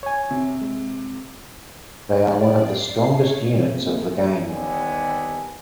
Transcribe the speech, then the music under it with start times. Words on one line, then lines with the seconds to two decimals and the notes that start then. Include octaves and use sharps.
They are one of the strongest units of the game.
0.03 C#5 G#5
0.31 C3
0.61 G#3
2.26 D5
2.69 C7
3.10 C#5
3.41 C3
3.77 A#3
4.47 D#2 D3 G3 B3 G#5